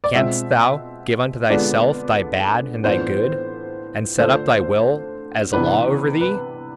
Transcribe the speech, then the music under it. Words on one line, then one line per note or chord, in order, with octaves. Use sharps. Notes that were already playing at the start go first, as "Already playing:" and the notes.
Canst thou give unto thyself thy bad and thy good, and set up thy will as a law over thee?
D5
B2 G#3 C4 F4 E5
D3 G#3 B3 D4 F4 D5
A2 E3 B3 D4 F4 C5
D3 A3 D4 F4 C5
C3 E3 B3 D4 B4
B4